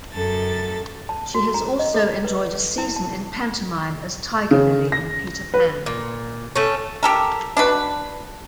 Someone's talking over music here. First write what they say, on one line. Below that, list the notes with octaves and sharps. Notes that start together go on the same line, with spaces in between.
She has also enjoyed a season in pantomime as Tiger Lilly in "Peter Pan".
F#2 A4 A6
A5
F#4
A#5
D#5
A4
B4
E4
A5
C#3
A#6
B4
A#2
A3 C#4
G4 A4 A#4
D4 F#4 B4